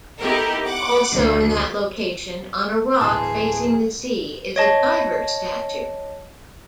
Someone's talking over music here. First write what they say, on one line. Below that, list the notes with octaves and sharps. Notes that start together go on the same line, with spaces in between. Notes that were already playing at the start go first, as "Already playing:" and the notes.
Also in that location on a rock facing the sea is a diver statue.
B3 D#4 E4 G4 A4 A#4
F#5 D6
D2
D1 E3 G#4 A5 C6
C#5 D#5 A5